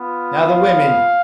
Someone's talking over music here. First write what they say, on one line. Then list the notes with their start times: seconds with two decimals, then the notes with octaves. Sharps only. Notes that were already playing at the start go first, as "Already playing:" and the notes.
"Now the women."
Already playing: B3 F4
0.46 F5